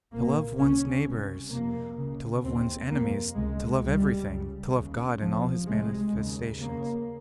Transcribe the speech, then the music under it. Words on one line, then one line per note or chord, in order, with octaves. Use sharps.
To love one's neighbors, to love one's enemies, to love everything, to love God in all His manifestations.
C2 A#2 A#3
C#2 C#3 C#4
C2 C3
F2 C3 A#3
C#2 C#3
D#2 C#3 C4
F2 C3 A#3
C#2 C3 G#3
C#2 C3 G3
C#2 C#3
D#2 C#3
C#2 C3 F3
C2 C3 G#3
D#2 C#3
D#2 C#3 A#3